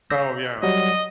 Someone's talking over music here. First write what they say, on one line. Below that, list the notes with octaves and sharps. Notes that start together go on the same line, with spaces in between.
Oh, yeah.
E6 G6 A#6
F#3 G3 D#5 F#5